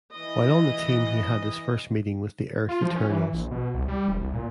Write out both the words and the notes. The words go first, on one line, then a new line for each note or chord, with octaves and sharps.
While on the team he had his first meeting with the Earth Eternals.
E3 D#5
F4
F3
C#4
E3
A#1
B2
C2
G3
E1
C2
A#2